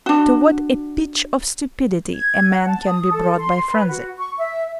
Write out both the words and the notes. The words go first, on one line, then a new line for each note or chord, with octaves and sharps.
To what a pitch of stupidity a man can be brought by frenzy!
D4 F#4
G#6
F#5
A5
D#6
A4
C6
B4
F#4
C#6
E5